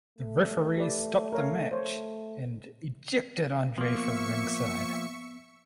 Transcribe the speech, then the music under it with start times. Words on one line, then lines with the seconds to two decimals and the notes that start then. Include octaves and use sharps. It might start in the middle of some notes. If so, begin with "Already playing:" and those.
The referee stopped the match and ejected Andre from ringside.
0.18 A3
0.77 G4 B4 D5
1.33 A#4 C#5 F5
1.71 A3 C5 C#5
3.78 F3 A#3 B3 E5 C#6 C#7